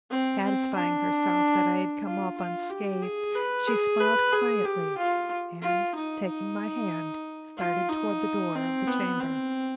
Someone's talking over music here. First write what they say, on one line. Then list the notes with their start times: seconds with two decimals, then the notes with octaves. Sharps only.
Satisfying herself that I had come off unscathed she smiled quietly, and, taking my hand, started toward the door of the chamber.
0.10 C4
0.43 C4
0.75 D4
2.05 F4
2.38 F4
2.70 G4
3.02 G#4
3.35 B4
3.68 G#4
4.01 B4
4.32 G#4
4.65 G4
4.98 F4
5.62 F4
5.95 D#4
6.27 D#4
7.58 F4
7.89 D#4
8.55 C4
8.87 B3
9.20 C4